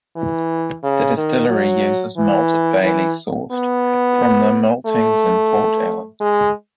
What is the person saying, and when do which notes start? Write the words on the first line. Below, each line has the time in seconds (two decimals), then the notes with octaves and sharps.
The distillery uses malted barley sourced from the maltings in Port Ellen.
0.16 E3
0.83 C#3
1.17 D#3
1.49 F#3
2.17 E3
2.84 E3
3.52 B3
4.86 A3
6.20 G#3